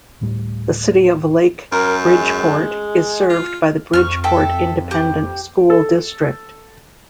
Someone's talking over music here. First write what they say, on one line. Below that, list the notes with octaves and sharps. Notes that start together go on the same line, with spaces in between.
The City of Lake Bridgeport is served by the Bridgeport Independent School District.
D1 A2 G3
F#2 A#4
G#3
F4
F2 C#6 E6 F6
A4 E5 G5
G4
A4